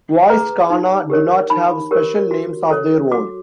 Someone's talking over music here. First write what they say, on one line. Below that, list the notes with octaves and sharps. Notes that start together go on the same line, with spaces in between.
Voiced kana do not have special names of their own.
G#4 B4 A#5
D#4
G4 A#4 C#5
D#4 B5
G4 A#4 C#5
F#4
A4 C#5
F#4 D6